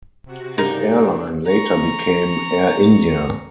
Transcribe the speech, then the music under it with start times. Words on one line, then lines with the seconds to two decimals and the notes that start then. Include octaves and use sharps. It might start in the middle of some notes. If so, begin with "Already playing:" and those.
His airline later became Air India.
0.25 C3 F#4
0.58 G2 C#3 D4 D#4 G4 A#4
1.47 A#5 C#6